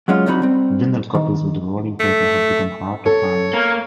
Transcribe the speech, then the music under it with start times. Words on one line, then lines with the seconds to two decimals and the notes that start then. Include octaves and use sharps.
Vinyl copies with the rolling paper have become hard to find.
0.08 F#3 G#3 C#4 F4
0.26 C2 F#2 C3 F#3 D#4 B5
0.42 G3 C4
1.15 D#3
2.00 A3
3.06 A4 C#5
3.53 A#3